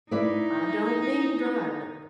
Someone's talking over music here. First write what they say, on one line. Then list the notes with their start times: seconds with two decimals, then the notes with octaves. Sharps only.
I don't mean dry river.
0.11 D#4 E4 B4 D5